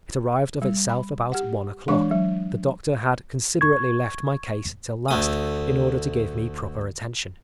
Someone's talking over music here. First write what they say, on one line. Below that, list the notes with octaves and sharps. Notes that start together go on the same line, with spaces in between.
It arrived of itself about one o'clock. The doctor had considerately left my case till last, in order to give me proper attention.
G3
B5
G4 F#5
E3 G#3 D4 C#5 C#6
F#3
C#6 G#6
D2 A3 D#6